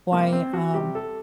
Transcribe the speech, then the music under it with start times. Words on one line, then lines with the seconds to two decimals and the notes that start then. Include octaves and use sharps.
why um
0.12 C3 G3 A#3
0.33 C4
0.53 F#4
0.74 C3 G3 G4
0.95 A4